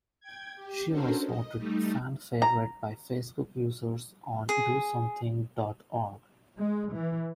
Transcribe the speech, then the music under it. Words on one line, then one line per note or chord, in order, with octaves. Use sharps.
She was voted "Fan Favorite" by Facebook users on DoSomething dot org.
G5 G#6
G4
C#4 D4 F#4 A4 A#4 C5
D#5
G3 A3 D#4
A#5
G#4
G#3
E3